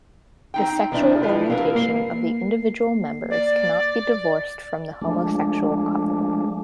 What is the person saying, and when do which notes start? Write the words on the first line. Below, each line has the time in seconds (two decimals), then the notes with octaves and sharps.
The sexual orientation of the individual members cannot be divorced from the homosexual couple.
0.54 C4 D#4 G5
0.92 F2 D#3 E3 D4 E4
1.23 F3 G4 B4
1.50 C4 A#4 B4 F5
1.75 A#3 C7
3.31 D5
5.02 F3 G#3 A3 D4